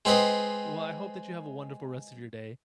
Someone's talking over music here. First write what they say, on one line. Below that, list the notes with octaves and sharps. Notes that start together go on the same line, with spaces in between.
Y well, I hope that you have a wonderful rest of your day.
G#3 C4 B4 D#5